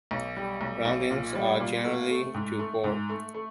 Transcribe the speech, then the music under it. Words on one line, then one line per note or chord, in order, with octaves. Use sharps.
Roundings are generally to Port.
B1
G3
B1
B1
A#2
G3
A#2
A3
A3
G#2
A3
G#2
A3
A3